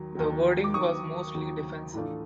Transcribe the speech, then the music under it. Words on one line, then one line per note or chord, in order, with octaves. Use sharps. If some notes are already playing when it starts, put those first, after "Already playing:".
The wording was mostly defensive.
Already playing: D#2 D#3 F#3
D#2 D#3 F#3
D6
D#2 D#3 F#3 C#6 D#6
D#2 D#3 F#3
A2 E3 A3 D4 F4